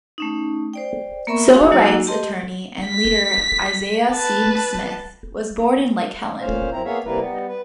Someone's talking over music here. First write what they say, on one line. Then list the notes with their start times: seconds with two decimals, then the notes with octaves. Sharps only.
Civil rights attorney and leader Isiah C. Smith was born in Lake Helen.
0.18 A3 C#4 D#4
0.73 C5 D5 G5
1.27 A#3 B3 A#4 E5 B5 C#6
1.50 F#4 G#4 F5 G#5 C6
1.71 F#3 A#3 D#4 F#4 D6 E6
2.07 G4 D#5 A5 C6
2.87 B6
4.12 B4 A5
6.41 A#2 C#4 C5 F5
6.73 F#2 C4 E4 A#5
6.85 A#3 B3 G#4 C#5 E5 F5
7.05 C3 G3 A#3 E4 A#4 B4
7.20 G3 B3
7.49 B4